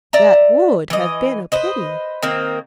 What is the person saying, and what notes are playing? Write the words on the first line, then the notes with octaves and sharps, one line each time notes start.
That would have been a pity.
D5 E5 A#5
E3 D#5
B4 C5 D#5
D#3 A#3 C4 A#4